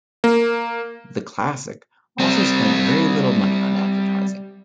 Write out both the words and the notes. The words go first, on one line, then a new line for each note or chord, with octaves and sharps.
The Classic also spent very little money on advertising.
A#3
G3 C4